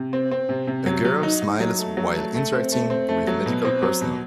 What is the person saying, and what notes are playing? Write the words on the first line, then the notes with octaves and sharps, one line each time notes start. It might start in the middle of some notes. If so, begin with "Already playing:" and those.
A girl smiles while interacting with medical personnel.
Already playing: C3
C4
C4
C3
C3
F#3
F#3
D#4
D#4
F#3
A3
F#3
A3
A3
C4
A3
C4
A3
F#3
B2
C4
F#3
B2